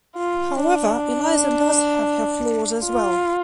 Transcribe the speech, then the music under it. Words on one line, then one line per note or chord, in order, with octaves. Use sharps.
However, Elisa does have her flaws as well.
F4
D4
F4